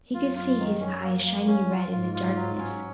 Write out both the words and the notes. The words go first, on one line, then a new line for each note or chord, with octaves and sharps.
He could see his eyes shining red in the darkness.
F#2 F4
F4
D#3
C#4
A#3
A#3
C#4
F4
G#2 F4
F4
F#3
C#4